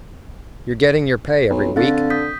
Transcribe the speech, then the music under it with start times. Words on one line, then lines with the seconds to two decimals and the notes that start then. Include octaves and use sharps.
You're getting your pay every week.
1.50 B1
1.76 D3 C4 F5 A6
2.10 D#6 G6 B6